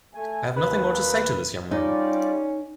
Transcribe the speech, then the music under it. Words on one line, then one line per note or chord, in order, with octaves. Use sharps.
I have nothing more to say to this young man!
A3 G#5
D#2 B4
G3 C#4 D#4 F4 D5